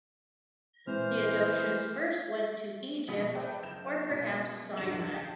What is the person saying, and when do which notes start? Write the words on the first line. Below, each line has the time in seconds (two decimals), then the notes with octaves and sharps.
Theodosius first went to Egypt or perhaps Sinai.
0.87 A#2 E3 G#3 C4 C5 F6
1.58 A3 G#4
3.08 A#1 B2 G#4 B5 D#6 B6
3.35 B4 C5 D5 E5 G5 A5
3.63 F#1 G6 E7
4.09 F#2 B2
4.77 F1 D2 G#2 G3 E7 F#7
5.12 D#5 G5 A5